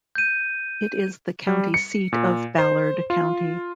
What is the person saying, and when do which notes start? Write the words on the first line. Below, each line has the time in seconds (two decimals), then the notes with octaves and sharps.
It is the county seat of Ballard County.
0.15 G6 D#7
1.47 G3
1.74 C#7
2.13 A#2
2.58 C5
3.10 F4